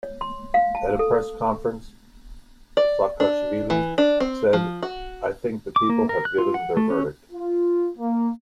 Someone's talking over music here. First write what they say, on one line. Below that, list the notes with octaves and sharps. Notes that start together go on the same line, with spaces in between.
At a press conference, Saakashvili said: I think the people have given their verdict.
C#5
C6
F5
A5
A4
D5
D4
E3
D4
C4
F3
F#4
D6
A#3
A#4
F#6
F4
F#5
A3
C#4
F4
A#3